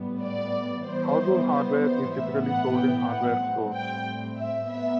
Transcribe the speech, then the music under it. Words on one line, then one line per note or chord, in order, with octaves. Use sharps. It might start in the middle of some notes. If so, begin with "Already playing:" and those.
Household hardware is typically sold in hardware stores.
Already playing: A2 G3 B3
D5
E3 G3 B3 C5
C5
C5
A2 E3 B3 E5
F#5
G5
F#5
A2 G3 C4
G5
E5
B3 E5